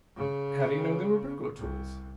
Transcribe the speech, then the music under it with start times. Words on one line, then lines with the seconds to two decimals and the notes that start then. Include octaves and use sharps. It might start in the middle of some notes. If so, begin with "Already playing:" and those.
"How do you know they were burglar tools?"
0.16 C#3
1.57 C2